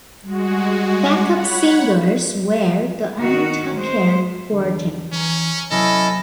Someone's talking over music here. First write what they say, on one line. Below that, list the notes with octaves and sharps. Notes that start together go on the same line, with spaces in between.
Backup singers were the Anita Kerr Quartet.
G3 G#3 F#4
C#5 F#5 B5
D#3 F#4
G#3 C5
E2 D3
E3 C#4 A#5
C3 F#3 C#4 E4 A4 D#5